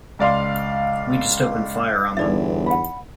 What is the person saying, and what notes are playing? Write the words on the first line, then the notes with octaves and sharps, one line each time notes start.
We just opened fire on them.
C#2 D5 F5 C6
G1 E2 D#4 D5 E5
F#5 B5